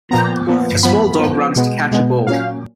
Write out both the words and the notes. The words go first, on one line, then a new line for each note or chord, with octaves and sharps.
A small dog runs to catch a ball.
A#2 F3 B3 A#5
A#2 F3 B3
F3 B3 B5
F3 B3
B2 G#3 B3
B2 G#3 B3
A#2 F#3 C#4 F5